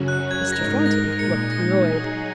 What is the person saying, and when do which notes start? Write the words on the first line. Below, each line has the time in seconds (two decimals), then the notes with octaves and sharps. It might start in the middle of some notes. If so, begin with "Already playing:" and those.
Mr. Thornton looked annoyed.
Already playing: F#2 C#3 F#3 C#4 F#4
0.08 F#6
0.31 G#6
0.52 G#2 G#3 D#4 A#4 A#6
0.86 A#6
1.13 A#6
1.19 A#2 G#3 D#4 C#7
1.52 A#6
1.85 F#3 D#4 G#4